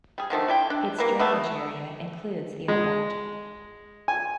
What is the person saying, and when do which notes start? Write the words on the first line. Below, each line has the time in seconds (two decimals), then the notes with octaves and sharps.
Its drainage area includes the Aubette.
0.18 G3 G#4
0.30 D3 D#3 F3 A3
0.48 E4 D5 E5 G5
0.70 D4
0.98 E3 A#3
1.19 F#3 A3 B3
2.68 G#3
4.08 G#5